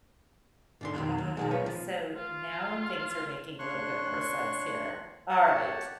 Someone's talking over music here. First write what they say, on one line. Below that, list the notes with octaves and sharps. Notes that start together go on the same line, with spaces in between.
Ah, so now things are making a little bit more sense here. Alright,
G#2 D3 C6
F2 B2 D#3
D#2
B2 D#3 G#3
B1 B4 C#5
F3
F4
D4 C#5 C6 C#6 F#6
G4 C#5 F#5 A5